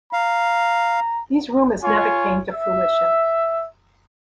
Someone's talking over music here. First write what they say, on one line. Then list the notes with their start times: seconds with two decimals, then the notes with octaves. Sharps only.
These rumors never came to fruition.
0.13 F5 A#5
1.84 F4 C#5 G#5 C#6
2.52 E5